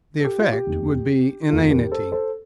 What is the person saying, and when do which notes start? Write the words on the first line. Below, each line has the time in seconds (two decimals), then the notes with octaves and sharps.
The effect would be inanity.
0.20 A4
0.24 G4
0.38 F4
0.52 G4
0.66 F1 D#2 D#3
1.49 F1 D#2 D#3 F4 A4
1.61 A4
1.70 G4 A#4
1.92 A4 C5
2.12 A4 C5